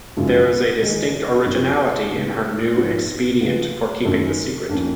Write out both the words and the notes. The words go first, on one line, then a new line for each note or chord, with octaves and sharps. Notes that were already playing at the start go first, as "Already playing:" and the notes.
There is a distinct originality in her new expedient for keeping the secret.
F#2 C#3 F3 G#3
D#3 G#3 D#4 G#4
F#2 F3 B3
C#3 G#3 B3
G#2 F3 B3 F#4
C#3 F3 B3 F#4
F#2 D#3 F#3 C#4
F2 F3 A#3 C#4